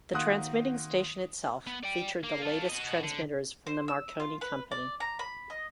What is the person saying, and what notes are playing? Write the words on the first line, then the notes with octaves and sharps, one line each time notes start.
The transmitting station itself featured the latest transmitters from the Marconi Company.
D#3 A#3 F#4 C6 D#6 F#6
B3
D5 G5
A#3
F4 A4
F#4 D#5
D3
C5
E6
F4
B4
D5
A#5
B5
D#5